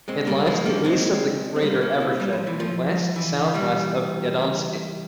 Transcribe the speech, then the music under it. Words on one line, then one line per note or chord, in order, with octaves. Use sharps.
It lies to the east of the crater Evershed, and west-southwest of Gadomski.
G#3 C4
G3 A#3
F3 G#3
G3 A#3
G#3 C4
C4
G3 A#3
A#3 C#4
C4 E4
G3
F3
E3
F3
E3
E3 G3